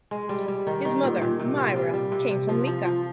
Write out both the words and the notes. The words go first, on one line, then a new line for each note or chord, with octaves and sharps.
His mother Mira came from Lika.
G#3
G3
G3
D#3
D#3
A#2
A#2
C3
F4
G3
G3
C3
C3
F3
F3
F3